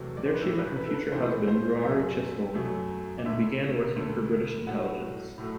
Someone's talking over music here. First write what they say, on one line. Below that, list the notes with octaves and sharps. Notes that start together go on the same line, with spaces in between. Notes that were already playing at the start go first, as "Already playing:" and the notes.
There she met her future husband, Ruari Chisholm, and began working for British Intelligence.
Already playing: E2 C3 F#3 A3
D5
C5
B4
A2 E3 A3 A4
B4
B4
A4
B4
A2 E3 A3 C5
C5
F#2 F#3 A3 E5
F#2 F#3 A3
D5
D2 D3 A3 E5
D2 D3 A3
A2 F#3 A3 F#5
A2 F#3 A3